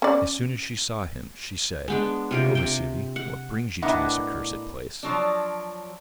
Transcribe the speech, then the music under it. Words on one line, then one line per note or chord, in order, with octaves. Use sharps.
As soon as she saw him she said: 'Oh, Vassili, what brings you to this accursed place?'
C#4 D5
G#3 B3 D4
C3 F4 G4
C3 G5
F#5
A2 B3 D4 A#4 D#5 F#5
F3 F#3 D4